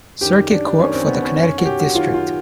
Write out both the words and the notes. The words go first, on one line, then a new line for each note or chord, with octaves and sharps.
Circuit Court for the Connecticut District.
F#2 D#3 G4
D4
F#2 D#3 C#4
C4
B3
C#4
F#2 D#3 C#4
F#4
G4
F#4
F#2 D#3 F4
F4